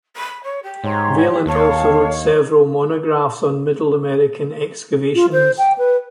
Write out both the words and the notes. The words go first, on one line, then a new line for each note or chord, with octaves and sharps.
Vaillant also wrote several monographs on Middle American excavations.
B5
C#5
G4
G#2 C#5 A#5 C6
D#2 C#5 F5 A5
F4
C5
G5
B4